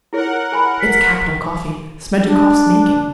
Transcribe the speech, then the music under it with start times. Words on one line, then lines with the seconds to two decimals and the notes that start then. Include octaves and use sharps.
It's capital coffee: Smerdyakov's making.
0.13 E4 G#4 A#4 C#5 F#5
0.52 G#4 G#5 B5
0.81 B6
2.21 D4